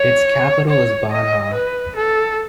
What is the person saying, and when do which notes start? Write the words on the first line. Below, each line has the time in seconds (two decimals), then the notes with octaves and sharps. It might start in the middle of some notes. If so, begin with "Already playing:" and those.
Its capital is Banha.
Already playing: C#5
0.70 C#5
1.12 D#5
1.54 B4
1.96 A4